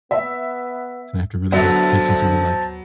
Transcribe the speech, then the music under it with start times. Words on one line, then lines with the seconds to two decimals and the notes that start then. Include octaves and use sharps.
so I have to really, like, pay attention to, like,
0.11 B3 E5
1.52 D3 F#3 B3 C5 E5 A5